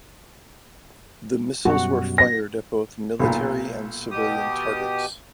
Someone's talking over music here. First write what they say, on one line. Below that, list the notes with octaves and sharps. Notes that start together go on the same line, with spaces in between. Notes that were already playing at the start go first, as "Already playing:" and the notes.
The missiles were fired at both military and civilian targets.
F#2 B2 G3 F#4 F#5
A#6
B1 A#2
B2 G4 D#6